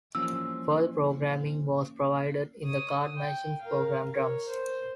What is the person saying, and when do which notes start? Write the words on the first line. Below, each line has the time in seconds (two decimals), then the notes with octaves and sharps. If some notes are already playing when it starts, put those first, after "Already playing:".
Further programming was provided in the card machines program drums.
0.15 E3 F3 G3 A#3 C#4 E6
2.64 C#5 D#6
3.16 G5
3.61 A#4 F5
4.12 A#4 C#5
4.48 C5